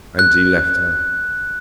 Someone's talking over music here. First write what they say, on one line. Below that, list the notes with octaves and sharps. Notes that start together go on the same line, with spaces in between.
And he left her.
F#6